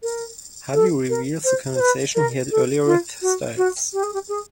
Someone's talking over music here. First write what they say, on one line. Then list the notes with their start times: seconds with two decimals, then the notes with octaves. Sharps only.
Hardy reveals the conversation he had earlier with Styles.
0.03 A#4
0.74 A4
1.09 A#4
1.44 C5
1.75 C5
1.80 B4
2.15 A#4
2.51 A4
2.86 F4
3.22 F#4
3.57 F#4
3.93 G4
4.03 G#4
4.14 G4
4.29 G#4